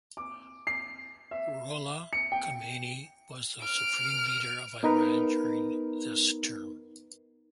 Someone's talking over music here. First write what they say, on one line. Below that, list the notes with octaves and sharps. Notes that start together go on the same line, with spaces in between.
Ruhollah Khomeini was the supreme leader of Iran during this term.
D6
C7
E5
C#7
G5
F6 D7
B3 D#4 A#4 B4